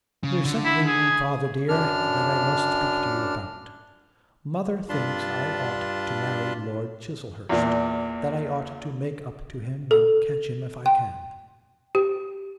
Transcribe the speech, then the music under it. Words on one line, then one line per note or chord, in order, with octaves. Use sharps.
'There's something, father, dear, that I must speak to you about.... Mother thinks I ought to marry Lord Chiselhurst, that I ought to make up to him and catch him if I can.
C#3
D3
E4
G#4
F#2 D4 F6
G2 D4 F4 A5 B5 C6
E2 A#2
A4
G5
G4